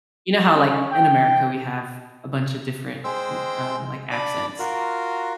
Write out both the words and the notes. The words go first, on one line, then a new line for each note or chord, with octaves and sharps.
you know how, like, in America, we have a bunch of different, n um, like, accents?
C#4
G5
G#3 C5 G5 E6
D4 B5 D6
F4 F#4 A#4